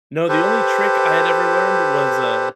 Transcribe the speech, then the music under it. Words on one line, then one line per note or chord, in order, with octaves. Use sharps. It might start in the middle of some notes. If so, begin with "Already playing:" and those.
No, the only trick I had ever learned was, uh,
G4 A4 B4 C5